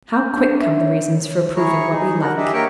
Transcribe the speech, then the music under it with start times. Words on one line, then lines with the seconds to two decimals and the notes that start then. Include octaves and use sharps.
How quick come the reasons for approving what we like!
0.14 G6
0.37 D4
0.61 E5
0.81 C#5
1.56 E4 G#4 C#5 A#5 C#6
1.91 D#4 G#4
2.22 A#4 F#5
2.37 D4 G4 G#4 D#5 E5
2.53 A#3 A#4 C#5 E5 G5